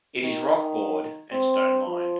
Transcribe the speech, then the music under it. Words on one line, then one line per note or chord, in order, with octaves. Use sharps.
It is rock bored and stone lined.
D#3
C4
F3